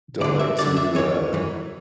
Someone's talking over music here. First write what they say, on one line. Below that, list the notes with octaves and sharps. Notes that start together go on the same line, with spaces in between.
don't like to, uh,
D2 D3 D5
E5
D2 D3 D5
E5
F#2 E3 C#5
F#2 E3